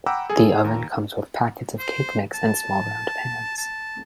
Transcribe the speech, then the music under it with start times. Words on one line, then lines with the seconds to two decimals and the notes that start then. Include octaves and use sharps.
The oven comes with packets of cake mix and small round pans.
0.06 F#5 G5 A#5 B5 D6 E6
0.30 G#4 A4 G#5
0.64 D#2 A#5
1.79 C5
2.34 A5
3.57 A5